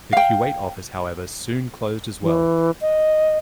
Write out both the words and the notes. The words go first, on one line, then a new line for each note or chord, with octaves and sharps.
The Kuwait office however soon closed as well.
F5 G5
E3
D#5